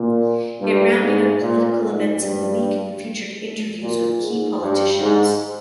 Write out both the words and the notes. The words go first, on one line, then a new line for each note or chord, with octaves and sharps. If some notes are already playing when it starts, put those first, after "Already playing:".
It rounded up political events of the week and featured interviews with key politicians.
Already playing: A#2
G2
G#2
A#2
G#2
G2
A#2
G#2
G2
G#2